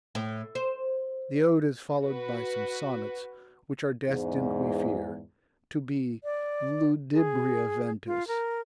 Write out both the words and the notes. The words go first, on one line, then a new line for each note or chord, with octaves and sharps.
The ode is followed by some sonnets which are destined, we fear, to be ludibria ventis.
A2
C5
F#4 B4
E2 G#2
D5
G#4
F4
A#4